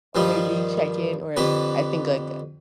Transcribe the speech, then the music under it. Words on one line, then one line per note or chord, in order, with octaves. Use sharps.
m maybe check in or I think, like,
G2 D#3 F3 G3
F2 D3 G4 B4